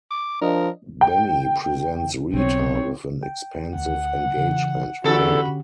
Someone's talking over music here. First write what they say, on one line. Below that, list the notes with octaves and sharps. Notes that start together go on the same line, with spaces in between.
Benny presents Rita with an expensive engagement ring.
D6
F3 D4 A#4 D#5
G5
B1 C4 C#5
G5
D2 F#5
C#3 E3
E2 D3 C#4 F#4 G4 A4 B5